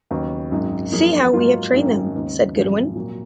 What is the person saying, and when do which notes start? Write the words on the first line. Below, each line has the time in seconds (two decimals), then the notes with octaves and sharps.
"See how we have trained them," said Goodwin.
0.11 D#2 C#3 F#3 B3
0.51 G#1 F#2 D#3 G#3
0.92 F#2 F3 A#3 C#4 G#4
1.33 G#2 F#3 A#3 F4
1.73 G#1 F#2 D#3 A#3 C#4
2.14 D#2 C#3 G#3 B3 D#4
2.55 G#1 F#2 F3 G#3
2.95 A#2 F#3 A#3